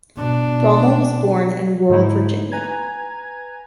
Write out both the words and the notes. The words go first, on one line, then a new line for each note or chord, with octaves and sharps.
Bromell was born in rural Virginia.
B2 D4
G#2 D3 F3 G#3 D#4 E4
B4 G#5 A#5 G#6